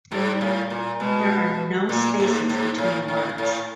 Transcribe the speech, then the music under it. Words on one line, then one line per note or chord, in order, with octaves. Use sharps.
There are no spaces between words.
G#2 G3
A2
A#2
B2 G#3
A#2 A#3
G#2
G#2
A2
A2
A2